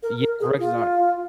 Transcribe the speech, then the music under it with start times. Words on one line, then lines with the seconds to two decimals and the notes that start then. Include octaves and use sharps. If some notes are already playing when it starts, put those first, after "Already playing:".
yeah, corrections are
0.03 A#4
0.21 A#4
0.40 G#4
0.59 F4